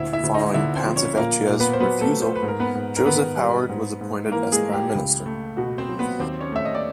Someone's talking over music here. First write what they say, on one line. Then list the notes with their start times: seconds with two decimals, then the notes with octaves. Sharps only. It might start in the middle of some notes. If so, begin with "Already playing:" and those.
Following Panzavecchia's refusal Joseph Howard was appointed as Prime Minister.
Already playing: D2 A#2 E4 E5
0.13 E4 E5
0.23 D2
0.34 D#4 D#5
0.54 D3 E4 E5
0.75 C4 C5
0.86 F3
0.96 C#4 C#5
1.17 A#2 A#3 A#4
1.49 A#2
1.60 B3 B4
1.73 C5
1.80 F#3 B3 B4
2.01 A3 A4
2.11 A3
2.22 C5
2.36 B4
2.43 G#2
2.48 A#4
2.60 B3 B4
2.75 G#2
2.96 A#4
3.05 D#3 B3 B4
3.37 G3
3.69 G#2
4.01 G#2
4.32 E3 A#3 A#4
4.52 G#3 G#4
4.63 A3
4.73 G4
4.95 C#2
5.26 A3
5.57 B2 F#4
5.78 C4 C5
5.89 F#3
5.99 B3 B4
6.20 D#2 C4 C5
6.40 C#4 C#5
6.52 A3 E5
6.65 D#5
6.75 D5